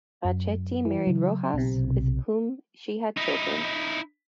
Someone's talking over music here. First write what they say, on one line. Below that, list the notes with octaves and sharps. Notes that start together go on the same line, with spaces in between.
Bracetti married Rojas with whom she had children.
F#2
E3
C#3 F#3
B1 C3
D#4 E4